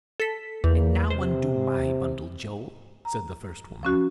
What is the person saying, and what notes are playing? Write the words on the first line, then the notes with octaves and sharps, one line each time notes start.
"And now undo my bundle, Joe," said the first woman.
A4 B6
E2 A#3
C3 C5
A#5
F3 C#4 F#4